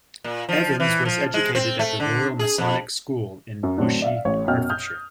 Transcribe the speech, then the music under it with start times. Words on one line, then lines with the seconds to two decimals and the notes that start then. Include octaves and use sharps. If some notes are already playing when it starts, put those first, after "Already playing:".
Evans was educated at the Royal Masonic School in Bushey, Hertfordshire.
0.24 A#2
0.49 F3
0.80 E3
1.05 F3
1.34 G#3
1.55 C4
1.79 A3
2.00 D3
2.39 G#4
2.58 F2
3.63 F#2
3.78 A2 D3 F#3 C4 D4
4.02 D5 E5 F5
4.25 A1 C#5
4.48 F#2 B2 C#4 D#5 G5 F6
4.70 D#6 F6 G6